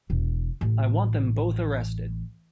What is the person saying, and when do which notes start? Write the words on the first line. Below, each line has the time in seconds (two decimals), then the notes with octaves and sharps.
I want them both arrested.
0.10 E1
0.61 A1